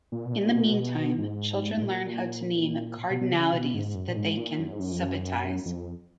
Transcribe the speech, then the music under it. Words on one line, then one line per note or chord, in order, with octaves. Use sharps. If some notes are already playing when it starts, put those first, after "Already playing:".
In the mean time, children learn how to name cardinalities that they can subitize.
A#2
B2
A#2
B2
A#2
B2
G#2
G#2
A#2
B2
B2
C#3
B2
G#2
F#2
A#2
G#2
A#2
F#2
G#2
F#2
F2
F#2
F2